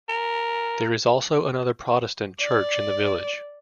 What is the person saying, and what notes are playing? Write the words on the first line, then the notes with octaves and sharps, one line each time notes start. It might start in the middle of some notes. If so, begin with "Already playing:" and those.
There is also another Protestant church in the village.
A#4
D5